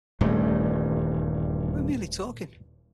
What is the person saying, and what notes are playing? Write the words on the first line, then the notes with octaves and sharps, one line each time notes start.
We were merely talking.
D#1 E2 G2 A3